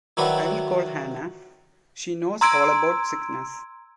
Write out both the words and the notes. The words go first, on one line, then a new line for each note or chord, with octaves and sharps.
I'll call Hannah, she knows all about sickness.
D#3 F#3 D4 E4 F#4 B4
A#5 C6 E6 G#6 D7